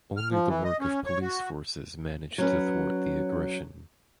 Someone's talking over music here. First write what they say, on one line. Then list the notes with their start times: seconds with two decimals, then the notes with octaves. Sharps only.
Only the work of police forces managed to thwart the aggression.
0.17 F6
0.32 F3
0.48 E3
0.64 D#5
0.80 C#4
1.06 C#5
1.21 F#4
2.38 F#3 C#4 B4